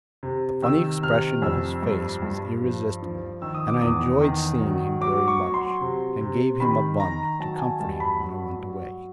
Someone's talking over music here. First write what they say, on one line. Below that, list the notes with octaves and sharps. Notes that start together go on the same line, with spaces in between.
The funny expression of his face was irresistible, and I enjoyed seeing him very much, and gave him a bun to comfort him when I went away.
C3
D#3 E6
C3 F6
F2 E6
G2
G2
F3
F3
D#3 E6
D#6
D6
E2 D#6
D#3
F#3
F#3 D6
C#6
F#3
C6
C3
C3
D#3 B5
D#3 A#5
F#3 A5
G#5
G2 A5
B5
F#3
F#3